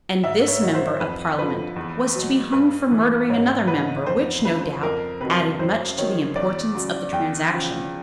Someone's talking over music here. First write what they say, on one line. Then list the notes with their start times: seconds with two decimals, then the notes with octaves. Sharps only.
And this Member of Parliament was to be hung for murdering another member, which, no doubt, added much to the importance of the transaction.
0.24 G#2 E5
0.48 C#5
0.62 D#3 F#3
0.75 C5
1.00 F2 B4
1.38 D3 F3 B4
1.76 E2
2.15 B2 F#3
2.52 G2 B4
2.92 E3
3.30 G#2 C#5
3.67 E3 B4
4.06 F2 C5
4.45 C#3 F3 B4
4.83 F2 A#4
5.21 C3 D#3 F#3 B4
5.59 F#2 C5
5.98 D#3 F#3 C#5
6.36 E2 D5
6.75 C#3 F#3
7.12 E2 G5
7.51 C#3 F3